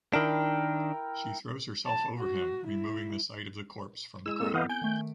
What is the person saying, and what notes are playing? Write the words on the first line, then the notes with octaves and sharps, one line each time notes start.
She throws herself over him, removing the sight of the corpse from the crowd.
D#3 D4 E4 A#4 G5
A5
F#4
E4
G#3 E4 E6
A#3 C4 A4
E3 B3 B4 D#5 F5 F#5 G6
G#5 G6 D7
D#3 A3